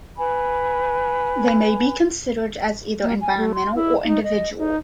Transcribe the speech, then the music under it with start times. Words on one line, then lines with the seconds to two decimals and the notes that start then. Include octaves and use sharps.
They may be considered as either environmental or individual.
0.17 B4 G#5 B5
3.02 A#3
3.21 G#5
3.38 A3
3.54 C6
3.75 E4
4.04 D#4
4.24 D#5
4.58 D#4